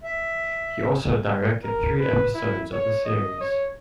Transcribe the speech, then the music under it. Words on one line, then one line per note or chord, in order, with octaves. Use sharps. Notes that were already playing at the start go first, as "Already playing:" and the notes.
He also directed three episodes of the series.
E5
A#4
B4
E4
C#5
D#5
C#5